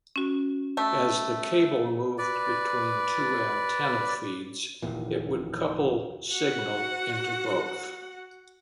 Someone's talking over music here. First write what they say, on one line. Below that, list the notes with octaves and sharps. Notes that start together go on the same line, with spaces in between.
As the cable moved between two antenna feeds, it would couple signal into both.
C#4 F#4
A3
B4 D5
F1 D#2 A#2 E3
F#4 F#5